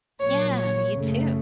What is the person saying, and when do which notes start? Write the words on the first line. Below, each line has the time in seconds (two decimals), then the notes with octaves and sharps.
Yeah, you too.
0.20 A#1 A#2 F#3 C#5
0.57 C#5
0.93 F#2 C#3 A3